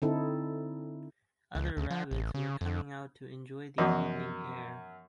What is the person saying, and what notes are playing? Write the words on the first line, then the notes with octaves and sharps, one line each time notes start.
Other rabbits were coming out to enjoy the evening air.
D3 C4 D#4 E4 A4
C#2
D2
F3
A1
C#3
F2
F#2 E3 F3 B3 F#4 D#5